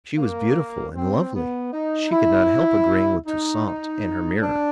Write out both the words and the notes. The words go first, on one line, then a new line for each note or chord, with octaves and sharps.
She was beautiful and lovely; she could not help agreeing with Toussaint and her mirror.
A#3
C4
B3
D#4
E4
D#4
D#4
D4